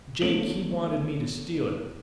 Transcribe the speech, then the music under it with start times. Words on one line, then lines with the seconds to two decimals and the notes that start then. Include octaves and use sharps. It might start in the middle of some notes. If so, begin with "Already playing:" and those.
Jake, he wanted me to steal it.
0.22 E2 A3 C#4 D7 F#7